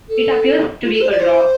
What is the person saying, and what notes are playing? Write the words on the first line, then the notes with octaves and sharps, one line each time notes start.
It appears to be a draw.
A4
F4
A4
C5
D5
C5